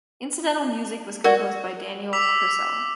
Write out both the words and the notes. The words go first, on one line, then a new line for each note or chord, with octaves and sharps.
Incidental music was composed by Daniel Purcell.
F#4 A#4 D5
D6 E6 B6 F7